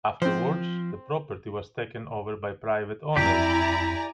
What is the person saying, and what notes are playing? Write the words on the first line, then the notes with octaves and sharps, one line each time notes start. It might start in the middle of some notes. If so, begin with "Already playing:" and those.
Afterwards, the property was taken over by private owners.
F3 C4 C5
F2 E4 G4 D5 G#5 A#5